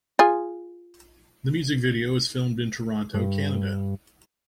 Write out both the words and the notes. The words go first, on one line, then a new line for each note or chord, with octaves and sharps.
The music video was filmed in Toronto, Canada.
F4 G#4
G2